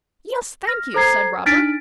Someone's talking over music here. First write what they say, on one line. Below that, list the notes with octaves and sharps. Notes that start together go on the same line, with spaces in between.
'Yes, thank you,' said Robert.
F6 A#6
A4 C5 A#5 G#6 C7
D4 D#4 F6 A6 B6 D7